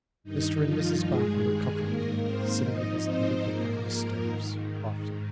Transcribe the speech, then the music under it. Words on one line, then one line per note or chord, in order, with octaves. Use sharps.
Mr and Mrs Boffin have comforted him, sitting with his little book on these stairs, often.'
G2 D#3 D#4
F3 F4
G2 D#3 G#3 G#4
G#3 G#4
G#2 D#3 A#3 A#4
C4 C5
G#2 F3 D#4 D#5
C4 C5
G#2 F3 A#3 A#4
G#2 D#3